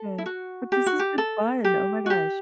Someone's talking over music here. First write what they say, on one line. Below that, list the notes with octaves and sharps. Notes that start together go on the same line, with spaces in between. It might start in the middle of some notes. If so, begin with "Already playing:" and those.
Eh, but this has been fun, oh my gosh.
Already playing: A4
E4
F#4
G4
F#4
G4
A4
G4
F#4
G4